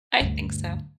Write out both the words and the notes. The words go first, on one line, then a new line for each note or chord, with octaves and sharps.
I think so.
D2 G2